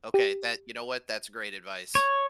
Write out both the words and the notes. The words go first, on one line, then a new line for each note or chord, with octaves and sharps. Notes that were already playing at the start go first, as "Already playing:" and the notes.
Okay, that you know what, that's great advice.
G4
C#5